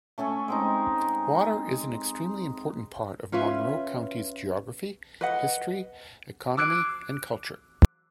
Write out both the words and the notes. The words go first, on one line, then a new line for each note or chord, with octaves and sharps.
Water is an extremely important part of Monroe County's geography, history, economy, and culture.
A3 C#4 A4 G#5
G#3 C4 D#4
C#4 F4 B4 E5
B4 D#5 F#5
D6 E6 F#6 G#6 C7 D7